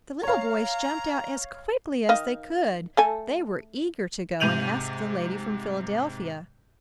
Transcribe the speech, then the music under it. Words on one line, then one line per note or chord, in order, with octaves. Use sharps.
The little boys jumped out as quickly as they could; they were eager to go and ask the lady from Philadelphia.
C#5 F5 A#5
D#3 D#5 F5
A3 A4 G#5
G#2 C3 G6 D#7 F7 F#7